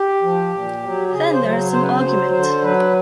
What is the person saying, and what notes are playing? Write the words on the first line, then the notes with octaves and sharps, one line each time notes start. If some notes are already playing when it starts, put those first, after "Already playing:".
Then there is some argument.
Already playing: G4
F3
A#2
F#3
G4
C#3 G#4
C5
F#3
C#3 C5
B4
C5
F#3
D3 C5
F#3 B4